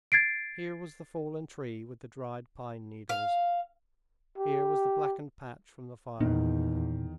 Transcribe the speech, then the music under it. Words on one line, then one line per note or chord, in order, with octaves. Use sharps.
Here was the fallen tree with the dried pine-needles, here was the blackened patch from the fire.
G#6 A6 C7 D7
F5
G4
E2 A#2 D#3